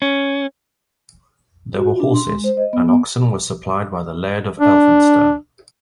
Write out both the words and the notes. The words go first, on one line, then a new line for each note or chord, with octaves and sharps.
There were horses, and oxen were supplied by the Laird of Elphinstone.
C#4
F#4
F4
D4
C6
G#3
C5
D#5
B3
B3
D4